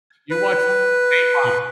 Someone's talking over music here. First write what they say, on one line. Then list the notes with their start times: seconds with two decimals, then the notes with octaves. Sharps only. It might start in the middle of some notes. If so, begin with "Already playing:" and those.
you watched Dateline.
0.31 B4